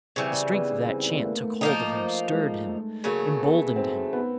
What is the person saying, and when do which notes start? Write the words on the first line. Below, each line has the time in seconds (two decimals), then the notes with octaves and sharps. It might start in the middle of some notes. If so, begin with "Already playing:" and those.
The strength of that chant took hold of him, stirred him, emboldened him.
0.16 C#3 E3 G3 C4
0.52 B3
0.89 C4
1.07 B3
1.19 A3
1.24 A#3
1.43 A3
1.61 F3 A#3 D#4
2.32 G#3
2.68 A3
3.04 C#3 F#3 A3 A#3
3.41 B3
3.76 C4
4.13 B3